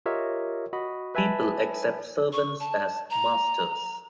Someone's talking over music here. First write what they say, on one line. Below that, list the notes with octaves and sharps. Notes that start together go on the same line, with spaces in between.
People accept servants as masters.
F4 G4 A#4 C#5 D#5 E5
F#4 D#5 B5
B4 E5 G#5 A5 B5
C#6
A5
A#5